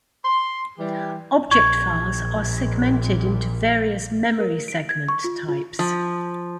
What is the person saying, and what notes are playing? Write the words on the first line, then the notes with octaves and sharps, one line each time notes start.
Object files are segmented into various memory segments types.
C6
E3 G3 G4
A#1 A#2 C#6 G#6
A#4
D7
G#6
C#6
F4
F4
F3